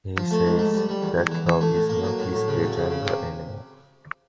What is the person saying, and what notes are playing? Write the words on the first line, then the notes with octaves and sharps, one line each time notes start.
He says that love is not his agenda anymore.
F3
A3
G#2
A3
G3
G3
E2
E2
E3
E3
A3
A2
A#3
F#3
A2
A2
C#3
F#2
C#3
C#3
C3